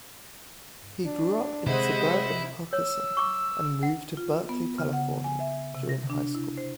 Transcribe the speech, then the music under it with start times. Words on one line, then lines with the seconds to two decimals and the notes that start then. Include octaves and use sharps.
He grew up in suburban Hockessin and moved to Berkeley, California during high school.
1.03 D4
1.67 C3 G#3 E4 C5 D#5 F#5
2.73 C#5 E6
3.17 C#6 D6
3.83 F#5
4.17 F4
4.49 B3
4.78 C#3
4.93 F#5
5.24 G#5
5.40 E5
5.75 C3
5.89 A#6
6.10 D4
6.35 E4
6.57 C5